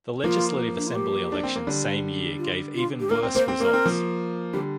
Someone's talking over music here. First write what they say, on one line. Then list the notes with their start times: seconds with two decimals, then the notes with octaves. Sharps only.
The legislative assembly elections same year gave even worse results.
0.23 F3 A#3 F4
0.77 D4
0.87 F4
0.95 G4
1.32 D4
1.43 C4
1.56 A#3
1.67 D3 G3
2.38 F4
2.74 F4
3.00 G4
3.10 A#3 A#4
3.23 C4
3.35 A#3 C5
3.48 C4
3.58 A#3 A#4
3.73 C4
3.85 F3 A#3
4.53 D3 G3 G4